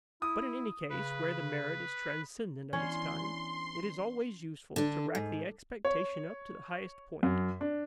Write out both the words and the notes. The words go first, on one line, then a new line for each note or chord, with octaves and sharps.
But in any case where the merit is transcendent of its kind, it is always useful to rack the expectation up to the highest point.
E4 D#6
C#3 B4
E3 B3 C#4 D4 C#5 C6
D3 D4
G#2
C#5
F#2
D4